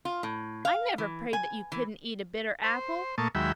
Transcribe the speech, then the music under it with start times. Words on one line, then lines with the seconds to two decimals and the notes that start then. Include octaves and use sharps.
I never prayed that you couldn't eat a bitter apple.
0.05 F4
0.23 A2
0.65 F5
0.98 E3
1.33 G#5
1.72 E3
2.64 C5
3.18 A#2 A3 A#3 A5 C#6 D#6
3.35 D#2 F#3 G#3 E5 G5 B5